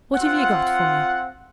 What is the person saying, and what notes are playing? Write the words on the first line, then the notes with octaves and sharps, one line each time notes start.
What have you got for me?'
C4 F4 F#5